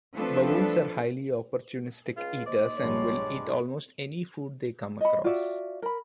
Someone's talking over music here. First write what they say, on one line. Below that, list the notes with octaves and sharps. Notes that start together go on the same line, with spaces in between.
Baboons are highly opportunistic eaters and will eat almost any food they come across.
F3 A3 C4 D4 A4 B4
C#2 F4
D#2 C5 D5 D#5
A#1 G2 F3 G3 G#3 D4 C#5
D#5 B5
F4 F#4 D5 E5
A#4 B5